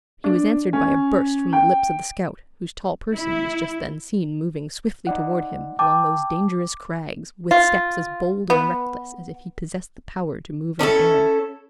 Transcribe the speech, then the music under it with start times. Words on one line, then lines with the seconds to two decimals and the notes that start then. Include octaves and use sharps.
He was answered by a burst from the lips of the scout, whose tall person was just then seen moving swiftly toward him, along those dangerous crags, with steps as bold and reckless as if he possessed the power to move in air.
0.24 D4
0.73 C#4
1.53 G5
3.14 E4
5.07 D#4 D5 F#5
5.79 G5 A5 D6
7.51 F4
8.50 B3
10.79 C#4 D4 E4 A4